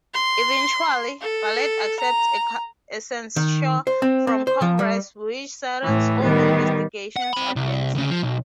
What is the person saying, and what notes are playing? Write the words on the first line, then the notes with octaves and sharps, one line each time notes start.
Eventually, Bartlet accepts a censure from Congress, which settles all investigations against him.
C6
A4
A#5
D#3
C5
C4
C4
C5
F3
G3
A2 E3
D#3 G3 B3
F#5
C4 B5
C2
D2 C#3
F3
B1